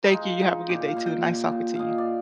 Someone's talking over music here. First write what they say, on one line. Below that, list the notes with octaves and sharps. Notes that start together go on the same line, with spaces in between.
Thank you, you have a good day too, nice talking to you.
D#4
G#3 F4
G#3 D#4
A#2 G4
F5
A#2
G5
A#2 G5
A#2
A#2 D#5 F5
D5